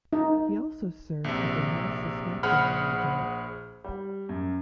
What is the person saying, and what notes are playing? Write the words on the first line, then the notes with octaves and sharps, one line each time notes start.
He also served with the North Saskatchewan Regiment.
D#4
A#1 C3
A#1 G#4 C5 F#5 B5 F6
G3
F#2